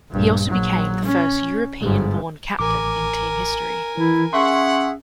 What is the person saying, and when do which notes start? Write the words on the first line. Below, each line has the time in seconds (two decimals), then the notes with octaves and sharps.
He also became the first European-born captain in team history.
0.10 A#1 G2
0.49 A#1 F#3
1.05 C#4
1.81 G1 G#2
2.59 A1 A#4 G#5 D6
3.97 E3 E4
4.33 C#4 G#4 E5 F#5 C6 C#6